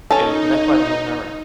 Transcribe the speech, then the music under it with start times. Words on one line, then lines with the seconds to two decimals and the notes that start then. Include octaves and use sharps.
It is met by Milmerran.
0.11 C#4 D#4 A4